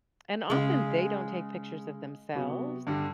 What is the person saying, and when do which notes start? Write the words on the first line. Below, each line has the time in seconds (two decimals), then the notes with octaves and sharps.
And often they don't take pictures of themselves,
0.50 C#3 G#3
2.34 C3 F#3 B3 F#4
2.87 G2 D3 G3